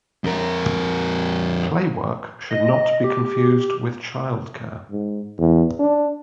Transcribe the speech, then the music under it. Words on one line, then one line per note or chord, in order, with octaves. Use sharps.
Playwork should not be confused with childcare.
F2 A#4
D#5
G4
G#2
E2
D4